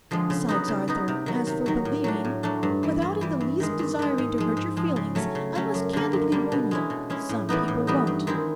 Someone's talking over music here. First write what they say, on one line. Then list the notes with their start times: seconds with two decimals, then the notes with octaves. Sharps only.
Besides, Arthur, as for believing--without in the least desiring to hurt your feelings--I must candidly warn you, some people won't.'
0.11 D3 F3 G#3
0.30 C#3
0.48 F#3 B3 D#4
0.68 C#3
0.88 F#3 B3 D#4
1.08 C3
1.26 D#3 F#3
1.47 C3
1.66 D#3 F#3
1.85 A2
2.04 F#3 A3 D4
2.25 A2
2.43 F#3 A3 D4
2.63 G2
2.83 E3 G3
3.02 G2
3.21 E3 G3
3.40 G2
3.60 D#3 G#3
3.79 G2
3.99 D#3 G#3
4.18 G#2
4.38 F3 G#3
4.57 G#2
4.77 F3 G#3
4.96 C#3
5.15 F#3 A3 C#4
5.35 C#3
5.55 F#3 A3 C#4
5.74 F#2
5.93 D3 G3 A#3
6.13 F#2
6.32 D3 G3 A#3
6.52 B2
6.71 G#3 C#4 E4
6.90 B2
7.10 G#3 C#4 E4
7.29 A2
7.49 E3 G3 B3 D#4
7.68 A2
7.87 E3 G3 B3 D#4
8.07 G2
8.27 D#3 G#3 C4 E4